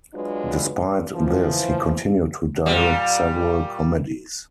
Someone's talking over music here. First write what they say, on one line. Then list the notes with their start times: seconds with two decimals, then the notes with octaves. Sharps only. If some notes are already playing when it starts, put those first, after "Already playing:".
Despite this, he continued to direct several comedies.
0.14 F#3 G#3 D4 F4 B4
1.14 E3 F3
2.66 A#2 G3